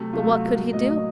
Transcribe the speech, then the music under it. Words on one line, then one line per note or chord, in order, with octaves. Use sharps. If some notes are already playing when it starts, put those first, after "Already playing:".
But what could he do?
Already playing: C3 F#3 A3
C3 F#3 A3 F4
F#4
A2 F#3 A#3
A2 F#3 A#3 D#5